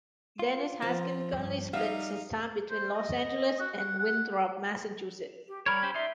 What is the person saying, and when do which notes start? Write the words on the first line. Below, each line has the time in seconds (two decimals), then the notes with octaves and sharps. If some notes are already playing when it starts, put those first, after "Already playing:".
Dennis Haskins currently splits his time between Los Angeles and Winthrop, Massachusetts.
0.39 F4
0.82 F3 C4 A5
1.33 E2 G2
1.73 G3 D#4 E5 F5
2.70 C5
2.95 D#5
3.60 F#4
3.78 F#5
3.99 F#5
5.48 G4
5.66 G3 A#4 C#5 B5
5.83 C#4 G4 C5
5.95 D#4 D5 E5 C6